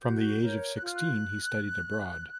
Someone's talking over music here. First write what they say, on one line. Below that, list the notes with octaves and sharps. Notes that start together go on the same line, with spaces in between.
From the age of sixteen he studied abroad.
F#4 G6
A#4 C#5
F4 F#6
F6
F#6